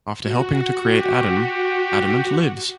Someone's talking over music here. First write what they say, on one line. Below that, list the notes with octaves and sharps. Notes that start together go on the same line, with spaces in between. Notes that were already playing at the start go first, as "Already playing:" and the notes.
After helping to create Adam Adamant Lives!
F#4
G4